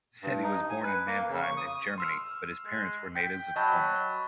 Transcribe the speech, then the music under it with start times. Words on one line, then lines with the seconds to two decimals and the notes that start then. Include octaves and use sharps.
Cetti was born in Mannheim in Germany, but his parents were natives of Como.
0.23 G2
0.44 D#4
0.70 G#5
0.83 B4
1.07 A#3
1.29 C#3
1.43 C#6
1.57 D#6
1.98 C6 E6 F6
2.66 G#3
3.16 G5 B6
3.56 F#3 D#5 A5 B5